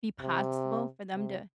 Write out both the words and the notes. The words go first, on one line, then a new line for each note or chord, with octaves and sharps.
be possible for them to
C3
C3